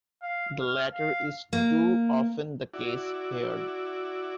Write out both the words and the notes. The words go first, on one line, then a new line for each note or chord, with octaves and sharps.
The latter is too often the case here.
F5
F6
F5
A#3
E4 F#4 D5